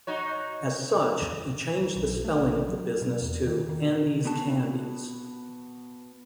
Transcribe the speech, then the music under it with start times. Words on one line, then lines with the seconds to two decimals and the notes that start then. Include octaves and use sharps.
As such, he changed the spelling of the business to "Andes Candies".
0.07 D#4 F#4 C#5
1.96 B1
2.25 A3
2.39 A#1
2.68 F#3
3.02 B2
3.22 E2
3.47 D#3
3.69 D#3
4.25 B3 F#4 A5